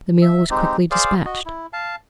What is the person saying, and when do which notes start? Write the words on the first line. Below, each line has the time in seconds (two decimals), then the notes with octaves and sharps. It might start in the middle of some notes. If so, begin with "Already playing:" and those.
The meal was quickly dispatched.
0.22 E5
0.50 G#3 C4 D#4 G4
0.91 G#4 C5 D5 F5
1.25 F#4 D#5
1.46 E4
1.73 F5 A5